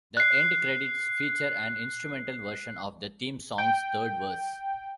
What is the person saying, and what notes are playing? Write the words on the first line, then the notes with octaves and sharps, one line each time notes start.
The end credits feature an instrumental version of the theme song's third verse.
F#6 C7
G5